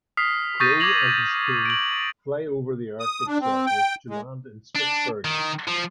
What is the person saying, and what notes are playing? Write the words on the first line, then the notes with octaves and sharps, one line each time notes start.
Crowe and his team fly over the Arctic Circle to land in Spitzbergen.
D#6 F6 B6 C7
C#6 D#6 G6 A6 A#6 D#7
D6 G#6 A#6 F7 F#7
D7 F#7
D#6
D4
C4
G5
G#3
D4
D#3
F3